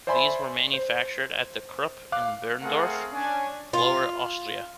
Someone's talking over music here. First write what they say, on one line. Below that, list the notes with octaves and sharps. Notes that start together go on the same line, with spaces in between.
These were manufactured at the Krupp in Berndorf, Lower Austria.
C5 D5 E5 G#5 B5 C6
C5
F5 D6 F#6
A3 C4 G#4 A#4 F5 F#5
C#4 D4 G#5
F4